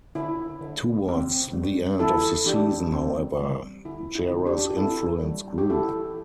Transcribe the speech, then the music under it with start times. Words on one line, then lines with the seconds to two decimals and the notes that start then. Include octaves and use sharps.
Towards the end of the season, however, Gera's influence grew.
0.15 D3 E4
0.61 D3
1.08 C4
1.53 G3
2.00 E3 E4 A4
2.46 E3 D4 G4
2.92 C4
3.39 G3
3.85 D3 E4
4.15 E4
4.31 D3
4.46 D4 G4
4.77 C4 E4 A4
5.23 G3
5.58 G4
5.69 E3 E4 A4